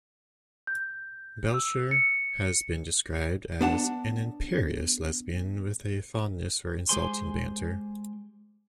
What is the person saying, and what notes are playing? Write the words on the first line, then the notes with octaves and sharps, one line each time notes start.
Belcher has been described as "an imperious lesbian with a fondness for insulting banter".
G6
E6
C#7
B3 D4 F#5 A5
G#3 G4 G#4 C5 G#5 C6